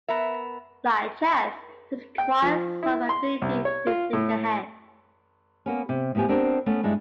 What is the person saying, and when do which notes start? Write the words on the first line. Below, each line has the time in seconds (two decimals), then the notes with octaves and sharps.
Like chess, this requires some ability to think ahead.
0.08 B3 A#4 E5
2.18 G5
2.42 F3
2.83 E4
3.09 C6
3.42 C2
3.65 C#5
3.87 F4
4.13 A2
5.66 A#3 B3 C#4
5.89 C3
6.15 A2 F3 B3 G4 G#5
6.28 B3 C4 D4 G4 A#4
6.66 A3 B3 C#4
6.83 G2 G#3 D4 E4